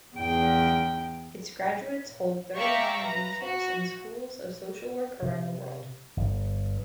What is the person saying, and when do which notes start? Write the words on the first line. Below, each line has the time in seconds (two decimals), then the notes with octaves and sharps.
Its graduates hold thirty-nine deanships in schools of social work around the world.
0.17 E2 G5
2.55 D5 E5 F5 G5 A#5 C#6
3.01 B4 A#5
3.43 F#4
5.22 C3
6.17 G1